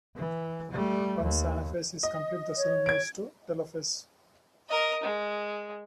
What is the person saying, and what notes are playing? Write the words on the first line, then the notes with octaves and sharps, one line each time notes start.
Once anaphase is complete, the cell moves into telophase.
E3
G3 A3
D#2
D#5
C#5
G#6 D7
A#4 D#5
G#3